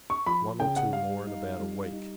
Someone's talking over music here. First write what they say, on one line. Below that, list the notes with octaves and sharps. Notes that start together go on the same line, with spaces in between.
One or two more in about a week.
C#6
F3 B5
C#3 G5
F#5
G3 F5
D#4
G3
D#4